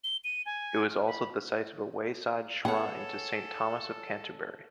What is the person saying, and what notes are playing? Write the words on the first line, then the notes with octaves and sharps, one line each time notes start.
It was also the site of a wayside shrine to Saint Thomas of Canterbury.
G7
D#7
G#5
F6
B5
B3 G#4 A4 C#5 F#5